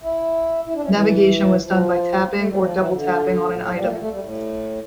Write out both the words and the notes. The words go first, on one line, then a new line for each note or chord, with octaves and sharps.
Navigation was done by tapping or double tapping on an item.
E4
E4
D4
C#4
E3
F3
A3
G3
F3
E3
D3
A#2
A2
G3
A#3
A3
A3
G3
A2